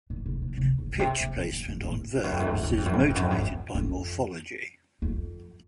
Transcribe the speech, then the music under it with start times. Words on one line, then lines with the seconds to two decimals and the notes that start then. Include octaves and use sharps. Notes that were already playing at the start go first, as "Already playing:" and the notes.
Pitch placement on verbs is motivated by morphology.
0.10 A#2
0.26 B2
0.42 B2
0.57 C3
0.79 C#3
0.94 B2
0.99 C3
1.21 B2
1.37 A#2
1.53 A2
1.69 A#2
1.85 A2
2.16 F2
2.24 F#2
2.32 F2
2.40 F#2
2.46 F2
2.54 F#2
2.63 F2
2.69 F#2
2.77 F2
2.86 F#2
2.93 F2
3.00 F#2
3.09 F2
3.15 F#2
3.23 F2
3.30 F#2
3.39 F2
3.75 F2
5.02 F2